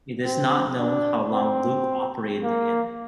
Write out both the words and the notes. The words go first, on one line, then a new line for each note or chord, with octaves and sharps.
It is not known how long Luke operated the inn.
C4
D4
C4
A#3